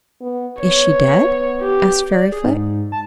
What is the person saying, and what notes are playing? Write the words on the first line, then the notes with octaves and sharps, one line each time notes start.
"Is she dead?" asked Fairyfoot.
B3
B3 C#5
G4
D5
G#4
G#2
A5